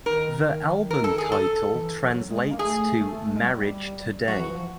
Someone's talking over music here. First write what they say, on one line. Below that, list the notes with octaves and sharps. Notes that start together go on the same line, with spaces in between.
The album title translates to "Marriage Today".
D#3 A#4
A#4
A4
G#4
A4
E3
F#3
G#3
A#3
A3 G#4
A3
G#3
G3
F#3 F#4
E3
F3